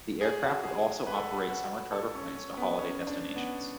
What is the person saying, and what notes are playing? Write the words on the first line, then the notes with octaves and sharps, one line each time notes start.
The aircraft would also operate summer charter flights to holiday destinations.
G#4
F#4
G#4
B4
A4
B4
F#4
A4
C#4
C#4
B3
C#4
D4
B3